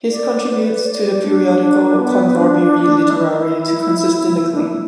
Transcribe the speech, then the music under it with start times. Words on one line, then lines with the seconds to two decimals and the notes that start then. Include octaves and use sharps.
His contributes to the periodical "Convorbiri Literare" to consistent acclaim.
0.11 D5
0.44 D5
0.49 B4
0.86 D5
1.23 D4
1.60 D4
1.98 B3
2.36 D4
3.10 E4
4.53 D4
4.60 E4